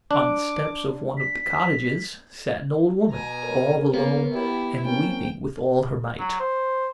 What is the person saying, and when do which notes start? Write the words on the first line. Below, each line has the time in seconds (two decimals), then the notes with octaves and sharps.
On the steps of one of the cottages sat an old woman, all alone and weeping with all her might.
0.11 D4 D6
1.18 B6
3.11 B2 G#5 A#5
3.43 A#4 C#5
3.94 A#3 B3
4.33 E4 F#4 G4
4.85 F#3 A#3 C4 C#4 A#4 G5
6.20 F#3
6.40 C5